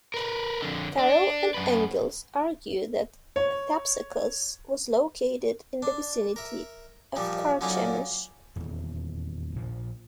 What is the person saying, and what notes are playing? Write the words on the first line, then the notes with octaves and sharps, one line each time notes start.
Farrell and Engels argue that Thapsacus was located in the vicinity of Carchemish.
A#4 B4
F2 D3
D4
F#2 B4
C#5
D4
A#4 E5
A#2 F3 G3
D3 F#3 A#3 C#4 D#4 F4
D#1 E2
A#1 A#2 F3